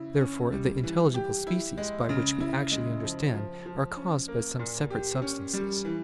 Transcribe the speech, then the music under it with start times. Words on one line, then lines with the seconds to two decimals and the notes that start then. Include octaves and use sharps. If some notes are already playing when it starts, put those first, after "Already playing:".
Therefore the intelligible species, by which we actually understand, are caused by some separate substances.
Already playing: C#3 E4
0.20 C#4
0.52 G3
0.83 E3
1.14 G4
1.47 E4
1.78 G#3
2.09 C#3
2.40 E4
2.71 G#3
3.03 F3
3.34 F3
3.66 F3
3.96 C#4
4.28 A#3
4.59 A#2
4.90 G4
5.22 C#4
5.53 G3
5.85 E3